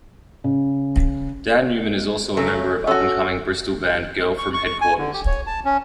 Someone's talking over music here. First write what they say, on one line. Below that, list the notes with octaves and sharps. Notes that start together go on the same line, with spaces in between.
Dan Newman is also a member of up-and-coming Bristol band Girl From Headquarters.
C#3
C#3 F#3 A3
C#4 F#4 A4
C#6
C#6
C#6
G#5
D3
G4
C#5
A5
C#4